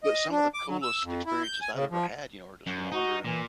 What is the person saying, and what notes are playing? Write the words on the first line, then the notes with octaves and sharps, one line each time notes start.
But some of the coolest experiences I've ever had, you know, are just wandering
D#5
D4
D6
F#3
E6
F2
E4
G6
G#5
C#3
F3
F#2
D#4 F#4
A#2 E3